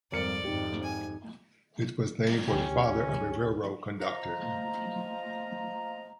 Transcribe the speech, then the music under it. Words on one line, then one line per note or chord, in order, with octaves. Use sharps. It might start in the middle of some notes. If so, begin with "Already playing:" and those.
It was named for the father of a railroad conductor.
G#1 F2 G3 A#4 D5 C#7
F2 G#2 D#4 G4
G#5
D2 C#4 G4
F3 F4 D#5 A#5